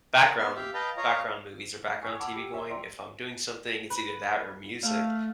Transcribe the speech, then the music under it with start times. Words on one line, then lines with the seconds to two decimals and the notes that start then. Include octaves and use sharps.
background background movies, or background TV going, if I'm doing something, it's either that or music.
0.23 A#4 F#5 A5
0.38 B3 D#4 E6 F6
0.55 G4 E5 F5
0.74 B4 D#5 F5 G5 A5
0.97 F4 C#5 D#5 F5 A#5
2.02 G#5 C#6 F6 G#6
2.20 F#5 A5 B5 D6 E6
2.36 G4
2.54 C#5 E5
2.70 D5 E5 G5 A#5 C6
3.90 B4
4.83 A3 F5